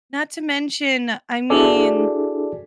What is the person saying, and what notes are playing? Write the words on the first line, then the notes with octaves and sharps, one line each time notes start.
Not to mention, I mean,
D4 E4 F#4 G#4 A4 D5